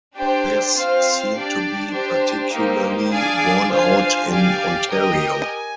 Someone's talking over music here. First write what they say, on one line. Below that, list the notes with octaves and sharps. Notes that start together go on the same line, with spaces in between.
This seemed to be particularly born out in Ontario.
D4 G4 C5 G5
C4 F4 C5 F5
D4 G4 D5
D4 G4 C5
A#3 D#4 G4 C5
D4 G#4 D5 F5 G#5
D4 F4 C5 F5 G#5
G4 D5 F5 G#5
G4 A#4 D#5 G5
G#5